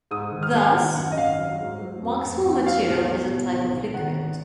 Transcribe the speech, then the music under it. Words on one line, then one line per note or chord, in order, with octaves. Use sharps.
Thus, Maxwell material is a type of liquid.
G#2 D#6
D#3
F6
F#3
D#3 F#5
F#2 F#5
D#5
G#1 F5
F#3
G#2
F#3
F2
F2
F2
F3 F5
B1
B1
B2
B1
B1
D#3 F#5
G#1